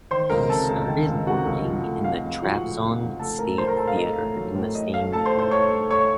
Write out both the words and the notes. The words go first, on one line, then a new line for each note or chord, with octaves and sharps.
He started working in the Trabzon State Theater in the same year.
D#3 C5 C6
C#2 A#4 A#5
C3 A4 A5
C#2
D#3
C#2
C3 F#4 F#5
C#2
F3
A3
C3 F5
F2
F3 F#4 F#5
A3
C3
F2
A3 A4 A5
A2 A#4 A#5
F#3 C5 C6
A#4 A#5
A2 A4 A5
F5
A3 D#5
A2
F#3
A2
A2 D#5
A3 F5
A3 A4 A5
C5 C6
A2
C5 C6
A2 C#5 C#6
A3
A3 C#5 C#6